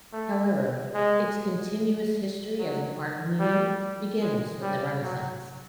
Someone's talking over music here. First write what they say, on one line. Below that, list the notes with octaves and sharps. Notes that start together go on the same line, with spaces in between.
However, its "continuous" history as an art medium begins with the Renaissance.
A3
G#3
F#3
G3
G#3
G3
F#3